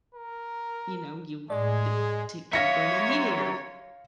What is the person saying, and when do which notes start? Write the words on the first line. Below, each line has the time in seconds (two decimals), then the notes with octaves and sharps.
”you know, you ta taking, going to a meeting or“
0.15 A#4
1.50 A2 G#3 G#4 D5
2.53 F#2 C#5 E5 F5 A#6 C#7